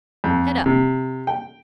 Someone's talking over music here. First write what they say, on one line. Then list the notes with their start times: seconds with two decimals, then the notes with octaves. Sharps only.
Head up!
0.24 F2
0.66 C3
1.27 G5